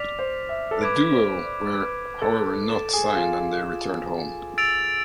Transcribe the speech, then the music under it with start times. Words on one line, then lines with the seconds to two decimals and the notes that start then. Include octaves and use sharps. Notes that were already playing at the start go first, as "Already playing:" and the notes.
The duo were however not signed and they returned home.
Already playing: D5 D6 F6 B6 F7
0.19 C5
0.49 E5
0.71 A4
0.81 B4 D6 G#6 D7
1.12 C5
1.44 D5
1.75 B4
2.22 A4
2.69 A4 D6 A6 E7
2.93 G#4
3.16 F4
3.40 F4
3.64 F4
4.58 E6 A6 D7 F7